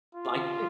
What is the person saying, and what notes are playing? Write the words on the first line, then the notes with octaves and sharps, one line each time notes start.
Like it?
F4